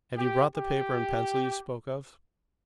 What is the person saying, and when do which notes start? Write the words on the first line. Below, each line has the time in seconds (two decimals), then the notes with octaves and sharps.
Have you brought the paper and pencil you spoke of?
0.16 G4
0.55 G4